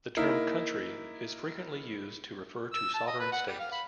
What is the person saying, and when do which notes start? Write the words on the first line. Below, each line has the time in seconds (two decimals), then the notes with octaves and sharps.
The term "country" is frequently used to refer to sovereign states.
0.17 A#3 D#4 E4
2.73 E6
2.94 A5
3.07 D#5
3.19 B4
3.32 F#5
3.47 G3
3.59 F5
3.72 B5